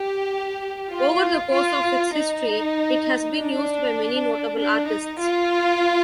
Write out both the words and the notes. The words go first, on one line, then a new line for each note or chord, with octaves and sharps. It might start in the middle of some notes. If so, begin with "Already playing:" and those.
Over the course of its history, it has been used by many notable artists.
Already playing: G4
F4
F4
D#4
D4
D4
D#4
F4